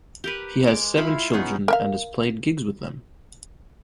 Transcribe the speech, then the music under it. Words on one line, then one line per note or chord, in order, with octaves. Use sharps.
He has seven children, and has played gigs with them.
G4 A#4 B4
G#3 D6
E4 F4 B5
B3 C#4 D#4 G#4
A#4 E5 F5